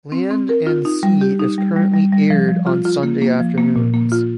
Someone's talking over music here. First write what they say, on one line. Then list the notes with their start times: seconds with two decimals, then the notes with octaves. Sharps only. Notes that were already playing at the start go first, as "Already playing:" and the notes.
"Land and Sea" is currently aired on Sunday afternoons.
0.12 C4
0.31 C4
0.49 A#4
0.67 F4
0.85 D#4
1.03 G3
1.21 G4
1.40 D#4
1.58 G3
1.76 G3
1.94 G3
2.12 G3
2.30 F3
2.49 F3
2.67 F4
2.85 F4
3.03 A#3
3.22 A#3
3.40 F3
3.58 A#3
3.76 A#2
3.94 A#3
4.12 F4